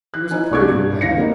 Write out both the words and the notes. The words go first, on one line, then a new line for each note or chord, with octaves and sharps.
He was a prudent man.
F#6
D#4 E4 G#5
C2 D4 C#6 D6 G#6
G2
G#1 D2 E3 F5 A#6 C#7
A#3 C4 D#4